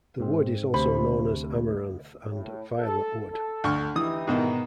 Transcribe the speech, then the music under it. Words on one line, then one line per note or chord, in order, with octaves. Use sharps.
The wood is also known as amaranth and violet wood.
G#2 C4
D2 C3 C5 B5
A2
A4
A4
D2 C#6 F6
E3 D#4 E4 G4 D#6
G#2 B2 D#3